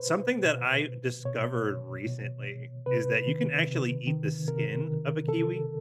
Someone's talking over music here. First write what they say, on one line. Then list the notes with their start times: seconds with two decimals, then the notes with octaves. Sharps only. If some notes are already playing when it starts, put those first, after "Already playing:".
something that I discovered recently is that you can actually eat the skin of a kiwi.
Already playing: B2 B4 C5
0.45 B2
1.25 B2 C#5
2.06 B2
2.86 C3 B4
3.27 D#3
3.67 C3
4.07 D#3
4.48 C3 A#4
4.88 D#3
5.28 C3 A4